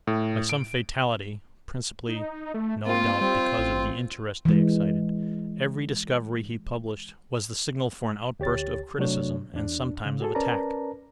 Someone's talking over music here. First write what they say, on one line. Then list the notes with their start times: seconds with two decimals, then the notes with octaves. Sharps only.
By some fatality, principally no doubt because of the interest they excited, every discovery he published was the signal for an outburst of criticism and sometimes of attack.
0.07 A2
0.49 D7
2.09 D#4
2.54 A3
2.86 A#3 C4 F4
3.21 G3 C4
3.58 A1
4.45 E3 G#3
8.40 D2 G4 C#5 A6
8.98 C3 F#3 A3 D4 C#5
9.54 E2 D4
10.05 C#3
10.20 F#4 G#4 A4
10.35 C#4 A#4 B4 D5 A5 A#5